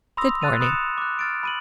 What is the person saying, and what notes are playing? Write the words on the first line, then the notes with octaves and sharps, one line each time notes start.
Good morning.'
B5 C6 D#6 E6 A#6 F7
F#6 A6 D#7 F7
B5 D#6 F#6 C#7 E7 F7
D6 F#6
F6 A6 D7
B5 D#7 F#7